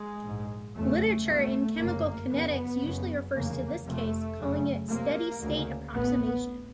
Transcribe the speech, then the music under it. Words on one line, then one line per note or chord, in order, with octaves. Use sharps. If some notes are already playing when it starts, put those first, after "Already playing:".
Literature in chemical kinetics usually refers to this case, calling it "steady state approximation".
Already playing: G#3
A#1 G#2
F#1 E2 C#3 A3
C2 B2 A3
G1 F#2 C#3 A#3
F#1 F2 C#3 B3
F#1 F#2 C#3
F1 E2 C#3 A#3
F1 F2 C3 A3
F#1 F#2 C#3
C#2 C3 A#3
D2 C#3
A1 A2 B3